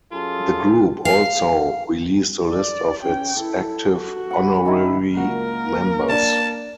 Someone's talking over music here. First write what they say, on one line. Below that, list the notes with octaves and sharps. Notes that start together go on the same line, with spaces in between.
The group also released a list of its active honorary members.
F#2 F4 G#4 A4
F5
D5
C#4 G5
E4 A4
F#4
F#5 B5
D#3 D4 E4
C#2 A#3 F#4 A#4
D4 D5 A5